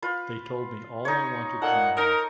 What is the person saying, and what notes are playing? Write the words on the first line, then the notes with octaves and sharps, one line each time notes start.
They told me all I wanted to know.
F4 B4
D#4 C#5
A#2 D#4 A4 F#5
D#4 A#4 D#5